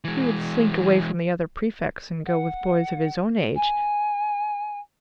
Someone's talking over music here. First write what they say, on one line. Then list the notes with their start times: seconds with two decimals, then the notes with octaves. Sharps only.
He would slink away from the other prefects and go with boys of his own age.
0.04 E3 G#3
2.26 F#5
3.55 G#5